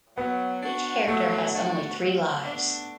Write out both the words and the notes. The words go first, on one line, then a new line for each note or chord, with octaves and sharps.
Each character has only three lives.
F#3 B3
D4 F#4
F#3 A3
D4 F#4
F#3
B3 D4